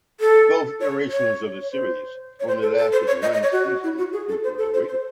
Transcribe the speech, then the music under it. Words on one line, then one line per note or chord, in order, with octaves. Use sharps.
Both iterations of the series only lasted one season due to low ratings.
A4
C#5
C#5
C#5
C5
C#5
C5
A4
A4
C5
C#5
D#5
D#5
C#5
F#4
E4
F#4
G#4
A4
C5
A4
C5
C5